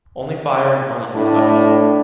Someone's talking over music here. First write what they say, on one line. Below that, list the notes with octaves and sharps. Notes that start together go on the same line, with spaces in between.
Only fire and money can stop people.
A2 D4 B5